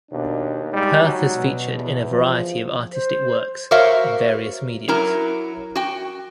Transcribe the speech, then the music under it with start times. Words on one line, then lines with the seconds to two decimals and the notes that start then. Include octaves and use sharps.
Perth has featured in a variety of artistic works in various mediums.
0.12 D#2 B2 D4
0.73 G3 G#3 D#4
1.04 F#3
1.34 B2
1.76 E2
2.11 F3
2.92 C5
3.71 F#4 A#4 C5 C#5 E5 F5
4.88 F#3 E4 A#4 A#5
5.76 F#4 G5